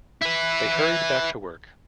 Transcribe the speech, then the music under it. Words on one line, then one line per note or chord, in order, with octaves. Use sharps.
They hurried back to work.
E4 B4